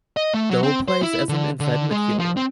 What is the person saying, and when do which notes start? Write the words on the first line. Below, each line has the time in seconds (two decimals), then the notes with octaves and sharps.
Dow plays as an inside midfielder.
0.17 D#5
0.34 A3
0.51 F#3
0.63 C4
0.88 C5
1.03 E4
1.29 D3
1.60 D3
1.91 G#3
2.19 F3
2.37 C4